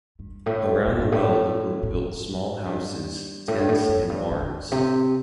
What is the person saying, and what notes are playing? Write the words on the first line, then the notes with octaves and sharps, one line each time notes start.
Around the well the group built small houses, tents, and barns.
G2
A2
A#2
A2
G2
A2
A2
G2
A2
G2
A2
F#2
G2
A2
C3